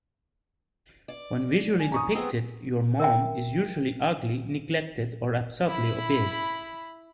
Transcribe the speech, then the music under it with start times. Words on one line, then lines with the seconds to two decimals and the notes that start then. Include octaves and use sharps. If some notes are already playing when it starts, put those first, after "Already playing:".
When visually depicted, "your mom" is usually ugly, neglected or absurdly obese.
1.08 D5
1.79 G#5
1.92 A#5 C#6 D#6
2.13 B3 C4 G#4
3.00 A#4 E5 G5
5.67 E4 B5